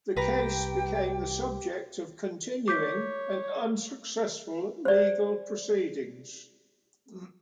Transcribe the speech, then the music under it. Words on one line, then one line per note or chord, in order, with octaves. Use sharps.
The case became the subject of continuing and unsuccessful legal proceedings.
C2 G4 B4 G5 A#5
C#5 D6 G6 B6
C5 D5